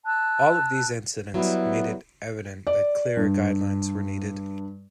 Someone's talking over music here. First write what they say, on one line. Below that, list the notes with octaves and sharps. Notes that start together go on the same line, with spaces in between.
All of these incidents made it evident that clearer guidelines were needed.
A5 E6 F#6
F#3 G3 B3 E4
D5
G2